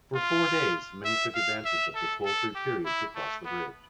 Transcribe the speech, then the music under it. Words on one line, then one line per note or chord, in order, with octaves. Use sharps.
For four days, many took advantage of the toll-free period to cross the bridge.
F4
E5
F5
E5
A4
A4
G4
E4
A3
B3